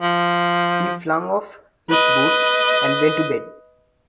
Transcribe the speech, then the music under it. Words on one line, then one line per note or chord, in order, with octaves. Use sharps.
He flung off his boots and went to bed.
F3
B4 D#5